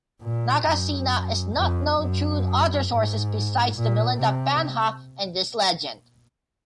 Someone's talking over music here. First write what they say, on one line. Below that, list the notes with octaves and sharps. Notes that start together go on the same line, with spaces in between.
Nagasena is not known through other sources besides the Milinda Panha and this legend.
A#2
F#2
F2
F#2
G#2
A#2
C3